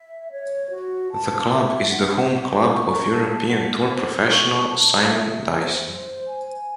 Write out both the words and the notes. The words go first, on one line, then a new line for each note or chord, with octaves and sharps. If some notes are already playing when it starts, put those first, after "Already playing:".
The club is the 'home club' of European Tour professional Simon Dyson.
Already playing: E5
C#5
F#4
A5
E5
F#5
C5
C#6
A5
F#5
C5
C#6
A5
E5
C5
C5
G#5